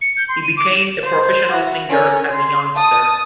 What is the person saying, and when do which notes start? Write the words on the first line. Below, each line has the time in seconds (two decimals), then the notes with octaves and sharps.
He became a professional singer as a youngster.
0.01 C#7
0.17 G6
0.29 C6
0.43 D#7
0.57 D6
0.71 E7
1.03 C5
1.51 E4 F#4
1.89 C#4 A#4
2.29 C6
2.75 A5 D#6